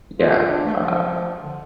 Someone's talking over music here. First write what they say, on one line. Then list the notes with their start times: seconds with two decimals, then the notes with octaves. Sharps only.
Yeah, uh,
0.19 F4
0.50 D4
0.66 A3
0.74 G3
0.81 F3
1.43 D3